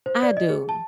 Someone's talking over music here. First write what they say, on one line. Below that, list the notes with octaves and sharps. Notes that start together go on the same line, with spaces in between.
I do
C5
D5
D#5
G#4
A5